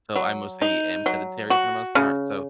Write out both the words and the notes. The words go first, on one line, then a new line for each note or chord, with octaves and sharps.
So, I mostly am sedentary for the most part so
F#3
D#4
F#3
F#4
C#3